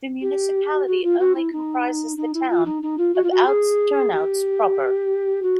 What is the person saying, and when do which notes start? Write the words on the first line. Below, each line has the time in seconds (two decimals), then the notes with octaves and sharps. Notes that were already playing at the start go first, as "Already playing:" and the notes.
The municipality only comprises the town of Oud-Turnhout proper.
0.21 G4
0.87 F#4
1.03 F4
1.19 F#4
1.35 E4
1.52 D#4
2.17 D#4
2.34 E4
2.49 F4
2.65 D#4
2.82 D#4
2.98 F4
3.14 F#4
3.23 F4
3.31 F#4
3.46 G#4
4.12 G4
5.42 F#4